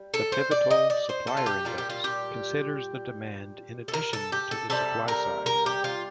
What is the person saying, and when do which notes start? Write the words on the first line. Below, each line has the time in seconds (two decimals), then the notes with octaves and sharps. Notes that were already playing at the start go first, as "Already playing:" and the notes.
The Pivotal Supplier Index considers the demand in addition to the supply side.
Already playing: G3
0.14 A4
0.32 C5
0.51 D5
0.71 D#5
0.90 D5
1.09 C5
1.27 A4
1.37 F4
1.46 G4
1.65 A#2 G3 F4
1.78 G4
1.90 F4
2.04 G4
3.88 A4
3.94 A#4
4.13 A4
4.32 G4
4.51 A4
4.70 C3 G3 A4
5.08 A#4
5.46 A#4
5.66 G4
5.84 F4